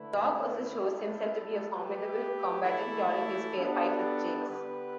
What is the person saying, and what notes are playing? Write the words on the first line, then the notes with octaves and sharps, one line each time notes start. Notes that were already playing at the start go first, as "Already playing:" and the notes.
Dog also shows himself to be a formidable combatant during his fight with James.
Already playing: D3 A3 E4 B4
G3 E4 A4
A3 G4 B4
E3 A3 E4 A4
G3 B3 D4 A4
D3 B3 G4 B4